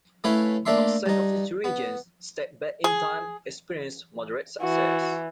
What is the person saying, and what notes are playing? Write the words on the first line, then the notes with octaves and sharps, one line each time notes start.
Outside of these regions, "Step Back in Time" experienced moderate success.
A3 C#4 E4 B4 F5
A3 A#3 D4 E5 C6
G2 D#4
B3
G#4
E3 F#4